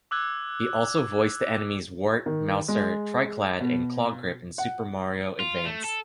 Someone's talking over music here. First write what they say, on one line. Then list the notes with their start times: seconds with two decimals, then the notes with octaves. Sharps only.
He also voiced the enemies Wart, Mouser, Tryclyde, and Clawgrip in "Super Mario Advance".
0.11 D6 E6 F#6 G#6
2.26 D#3
2.68 G#3
3.60 B2
4.58 F#5
5.40 F4
5.65 A3
5.84 A4